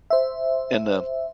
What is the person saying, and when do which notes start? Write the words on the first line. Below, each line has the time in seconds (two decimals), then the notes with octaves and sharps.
And, um,
0.10 C5 E5